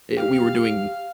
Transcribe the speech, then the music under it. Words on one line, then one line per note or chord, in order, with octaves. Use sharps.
i we were doing
G4 F5